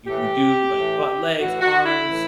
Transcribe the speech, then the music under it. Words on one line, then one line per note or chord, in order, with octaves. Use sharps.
you can do, like, butt, legs, arms,
A2 E3 G4
A2 E3
A2 E3 F#4
F#4
E4
A2 E3